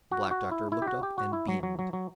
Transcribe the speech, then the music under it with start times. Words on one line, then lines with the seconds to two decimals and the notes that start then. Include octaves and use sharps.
The Black Doctor looked up, and beamed.
0.12 F#4
0.31 F#4
0.51 E4
0.72 E4
0.82 G4
0.87 F#4
1.03 G4
1.18 F#4
1.33 E4
1.48 F#3
1.63 F#3
1.79 F#3
1.93 F#3